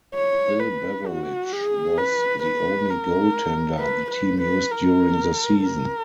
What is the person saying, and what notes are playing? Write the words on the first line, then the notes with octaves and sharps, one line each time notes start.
Bill Beveridge was the only goaltender the team used during the season.
C#5
B4
F#4
G#4
B4
B4
A#4
B4
B4
B4
A#4
A#4